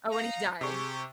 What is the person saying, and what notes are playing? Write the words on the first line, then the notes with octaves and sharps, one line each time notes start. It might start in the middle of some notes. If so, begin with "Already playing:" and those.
oh, and he died.
D#4 F5 A#5
C3 G4 G#4 C#6